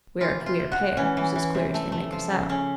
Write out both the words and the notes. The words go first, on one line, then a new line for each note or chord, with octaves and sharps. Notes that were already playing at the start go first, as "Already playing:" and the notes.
We are a queer pair--just as queer as they make us out.
E3 F4
C3
F4
C3
F#4
C3
E3 C#4
E3
E3
C3
A3
A3
F3
C#3
C#3 C#4